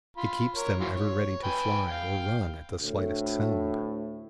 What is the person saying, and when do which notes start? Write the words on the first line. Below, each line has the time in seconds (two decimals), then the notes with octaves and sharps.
It keeps them ever ready to fly or run at the slightest sound.
0.17 F4 B5
0.56 A#4 C#5
0.80 E3 F#3 F4
0.94 C#5
1.43 B4 G5 G#5
1.87 F5 G5
2.80 D2 A2